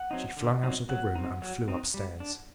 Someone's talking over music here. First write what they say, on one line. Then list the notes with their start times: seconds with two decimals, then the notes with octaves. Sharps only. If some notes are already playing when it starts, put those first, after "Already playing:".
She flung out of the room and flew upstairs.
Already playing: F#5
0.11 F#3 C4 D#4
0.37 D3
0.63 F#3 C4 D#4
0.89 F#3 F#5
1.15 C4 D#4
1.42 F#3
1.68 C4 D#4
1.94 G3
2.20 D4